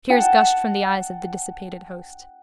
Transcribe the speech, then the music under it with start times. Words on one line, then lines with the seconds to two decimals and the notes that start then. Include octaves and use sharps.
Tears gushed from the eyes of the dissipated host.
0.10 F#5 G5 A5